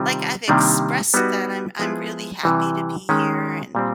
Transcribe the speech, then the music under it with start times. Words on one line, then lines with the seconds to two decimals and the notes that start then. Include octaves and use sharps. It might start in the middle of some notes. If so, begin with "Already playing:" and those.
like, I've expressed that I'm I'm really happy to be here, and,
Already playing: C3 D#3 G3 C4 F4
0.48 C3 D#3 G3 A#3 D4
1.14 G3 B3 D#4 F#4 B4
1.79 F3 G#3 B3 E4 G#4
2.43 C3 E3 G3
3.09 D#3 G#3 C#4
3.75 A#2 G3 C4